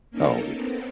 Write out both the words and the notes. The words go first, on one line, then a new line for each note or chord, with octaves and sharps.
Oh, yeah.
A#3 C#4 D#4 A4 A#4
B3 C4